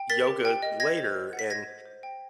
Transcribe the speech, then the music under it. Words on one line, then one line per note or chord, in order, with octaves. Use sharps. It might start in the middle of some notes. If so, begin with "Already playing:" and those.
yoga later and
Already playing: G5
A#4 A6 B6
G4
G5
D#5
D#5 G#6 A#6
C5
C5
F#5
B6
D#5 G#6 A#6
C5
C5
G5